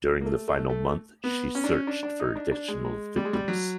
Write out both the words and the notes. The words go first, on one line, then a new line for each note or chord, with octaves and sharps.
During the final month she searched for additional victims.
A#3
A3
A3
A3
B3
C#4
D4
C#4
D4
D4
D#4
D4
D4
G#3
G#3
G3
G#3
G3
F#3